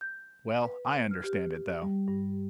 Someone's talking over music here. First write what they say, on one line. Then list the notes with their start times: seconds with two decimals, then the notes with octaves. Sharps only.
Well, I understand it, though.
0.01 G6
0.65 B4
1.11 F6
1.24 G4
1.82 G3
2.08 G2